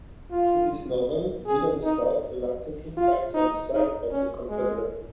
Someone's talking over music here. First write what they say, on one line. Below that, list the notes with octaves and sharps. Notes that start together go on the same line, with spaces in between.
In this novel Dylan Stark reluctantly fights on the side of the Confederacy.
F4
G#4
D#4
F4
D#4
D#4
C#4
G#3